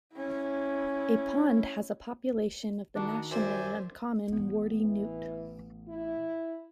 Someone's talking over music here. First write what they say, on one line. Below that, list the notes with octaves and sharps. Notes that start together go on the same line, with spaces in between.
A pond has a population of the nationally uncommon warty newt.
C#4 E4
D#3 D4 F#4 F#5
F#2 C5 D5 E5 G5 G#5
A1 B3
E3
E4